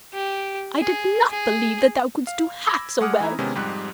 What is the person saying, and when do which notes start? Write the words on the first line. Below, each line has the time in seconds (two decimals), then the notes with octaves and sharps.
I did not believe that thou couldst do half so well.
0.14 G4
0.80 G#4
1.30 G#4
2.27 F5
2.67 B5 D6 E6 G#6 A#6
3.01 G#3 A3 F#5 D6 D#6 F6
3.20 E3 D#4 E4 A#5
3.39 C3 D#3 G#3 B3 C#4
3.55 F2 G#2 G3 G4 F#6